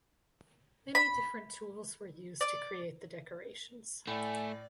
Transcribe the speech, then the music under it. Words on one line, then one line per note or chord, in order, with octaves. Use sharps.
Many different tools were used to create the decorations.
B5
D5
A2 A3 D5 G#5